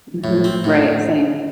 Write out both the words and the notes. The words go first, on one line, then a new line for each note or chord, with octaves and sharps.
Mhm. Right. Same.
A2
C4
A2